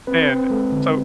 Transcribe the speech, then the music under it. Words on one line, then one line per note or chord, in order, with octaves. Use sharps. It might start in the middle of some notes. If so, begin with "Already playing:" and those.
And, so
C4 B4
C4
G#3 A4
D3